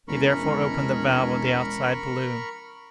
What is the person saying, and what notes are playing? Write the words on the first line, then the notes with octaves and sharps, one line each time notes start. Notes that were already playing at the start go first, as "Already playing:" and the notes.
He therefore opened the valve of the outside balloon.
E1 F3 G#3 C#4 A#4 B5 C#6